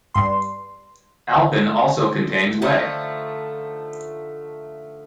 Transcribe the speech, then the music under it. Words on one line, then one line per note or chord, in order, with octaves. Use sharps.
Alpen also contains whey.
G2 C6
D3 F3 A3 D#4